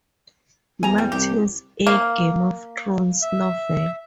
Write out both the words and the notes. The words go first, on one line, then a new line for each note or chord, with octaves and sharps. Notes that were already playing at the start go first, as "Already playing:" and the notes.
Martin's A Game of Thrones novel.
E2 G#5 A#5
G3
C2 G4
A#3
E5